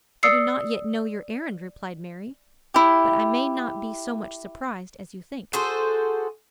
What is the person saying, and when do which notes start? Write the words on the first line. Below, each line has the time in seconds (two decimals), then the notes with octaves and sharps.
"I do not yet know your errand," replied Mary; "but I may not be so much surprised as you think."
0.23 D5 D#6 E6 C7 C#7
2.74 E4 G4
5.53 F#4 G#4 A4 C5